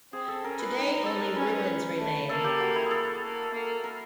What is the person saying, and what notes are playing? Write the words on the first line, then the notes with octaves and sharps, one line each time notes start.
Today only ruins remain.
C4 G#4
A4
C#4 A#4
B4
D#4 B4
A4
A#4
C#4 B4
A3
A#3 A4
G4
F#4
E4
G#4 A4
A#3
A#3
A#4